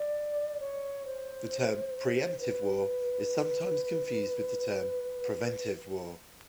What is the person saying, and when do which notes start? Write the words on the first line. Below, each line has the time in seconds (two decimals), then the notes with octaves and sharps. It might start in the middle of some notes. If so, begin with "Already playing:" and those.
The term 'preemptive war' is sometimes confused with the term 'preventive war'.
Already playing: D5
0.60 C#5
1.06 C5
2.40 B4